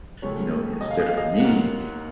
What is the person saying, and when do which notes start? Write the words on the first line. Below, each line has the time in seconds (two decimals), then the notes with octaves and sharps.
you know, instead of me,
0.22 C#2 C#3 F3 A3 C#5
0.81 F#2 C#3 F#3 A3 D#5
0.91 F5
0.99 D#5
1.09 F5
1.17 D#5
1.40 D#2 D#3 A#3 F#5